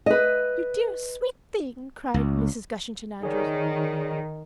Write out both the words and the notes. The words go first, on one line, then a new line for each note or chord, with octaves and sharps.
"You dear, sweet thing!" cried Mrs. Gushington-Andrews.
B4 D#5
C#2
D#3 G#4 C#5 D5